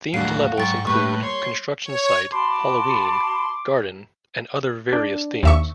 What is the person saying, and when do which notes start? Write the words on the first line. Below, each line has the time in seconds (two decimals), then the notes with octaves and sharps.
Themed levels include: construction site, Halloween, garden and other various themes.
0.14 D#2 A2 D4 F#4 A4 F5 C7
0.58 G#2 F#3 G#3 G5 C#6 A6
0.87 A2 G3 A#3 B4 C#6
1.23 C#5 C6
1.84 C#5
2.32 F#4 A5 B5 C6 D6
4.93 D4
5.43 D#2 E5 C#6